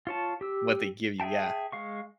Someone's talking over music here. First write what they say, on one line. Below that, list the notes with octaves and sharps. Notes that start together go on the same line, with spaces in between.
what they give you, yeah.
F4 C#5 A5
G4 E6
G#4 E5 G5 A5
G#3 F5 C#6